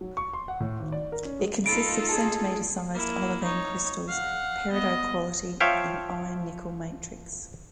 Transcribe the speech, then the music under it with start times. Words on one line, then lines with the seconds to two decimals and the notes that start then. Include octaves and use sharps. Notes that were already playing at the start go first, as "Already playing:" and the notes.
It consists of centimeter-sized olivine crystals of peridot quality in an iron-nickel matrix.
0.01 F#3
0.17 C#6
0.33 C6
0.48 F#5
0.60 A2
0.80 G#1
0.92 D5
1.12 A#4
1.25 C#4
1.39 G#3
1.66 D#4 F4 A4 B5 D7
2.09 G#4 A5
2.93 A#3 E4
3.43 D#4 C#5
4.08 F5 F#5
4.71 B3 D#5
5.60 F3 C#5 E5 F5 G5